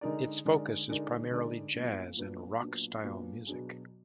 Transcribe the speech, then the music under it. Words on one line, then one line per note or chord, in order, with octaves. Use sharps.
Its focus is primarily Jazz and Rock style music.
D3 G#3 D#4 A#4 D5
D3 G#3 D#4 A#4 D5
D3 G#3 D#4 A#4 D5
D3 G#3 D#4 A#4 D5
A#2 F#3 B3 D4
A#2 F#3 B3 D4
A#2 F#3 B3 D4
A#2 F#3 B3 D4
B2 F#3 D4 G#4